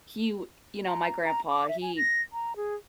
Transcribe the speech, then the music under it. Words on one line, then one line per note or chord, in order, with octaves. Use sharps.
he, w you know, my grandpa, he
A#5
A#5
D6
E5
G#5
A#6
A#5
G#4